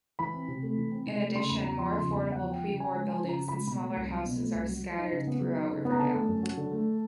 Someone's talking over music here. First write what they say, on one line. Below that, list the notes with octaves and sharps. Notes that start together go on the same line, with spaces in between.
In addition, more affordable pre-war buildings and smaller houses are scattered throughout Riverdale.
E3 B5
C4
C3
A3
E3
C4
C3
A3
C#3 C6
E2 B5
E2 A#5
F3 C6
C#3 C6
E2 B5
E2
F3 F#5
F3 G5
C#3
C#3 G#5
G#3
F3 G#5
C#3 A#5
C#3
G#3 B5
B2 B5
A3
C2
F#3
B2
A3
C2
F#3
F#3
D#4
C#3
B3
F#3
D#4
C#3
B3
A#5
D3 A5
A3
F#2
F#3
D3
A3